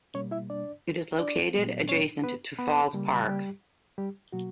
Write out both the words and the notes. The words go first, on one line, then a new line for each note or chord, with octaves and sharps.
It is located adjacent to Falls Park.
B2 G3 A#3 C#4 C#5
E4 E5
D4 D5
D4 D5
A#2 F#3 B3
C#4 C#5
B3 B4
B3 B4
C#3 G3 A#3
G3 G4
G3 G4
B2 F#3 A#3 F#4